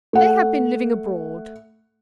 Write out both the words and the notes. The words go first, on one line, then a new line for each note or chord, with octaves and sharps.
'They have been living abroad.
A3 F#5